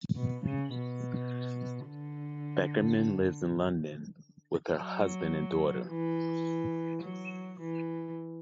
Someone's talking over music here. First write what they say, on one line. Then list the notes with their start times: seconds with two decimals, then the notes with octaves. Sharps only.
Beckerman lives in London with her husband and daughter.
0.16 B2
0.45 C#3
0.73 B2
1.88 D3
4.74 F#3
5.88 E3
7.03 F#3
7.60 E3